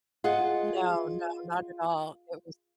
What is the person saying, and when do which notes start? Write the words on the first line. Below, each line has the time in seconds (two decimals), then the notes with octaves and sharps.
No, no, not at all it was
0.24 F4 G#4 D#5 F#5